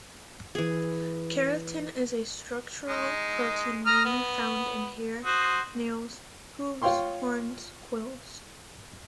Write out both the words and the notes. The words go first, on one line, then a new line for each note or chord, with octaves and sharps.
Keratin is a structural protein mainly found in hair, nails, hooves, horns, quills.
E3 G#4
G#3 D#4
A#5 D#6 F6
B3
F#4 C5 D#6
F4 C#5 F5 G5 C6 C#6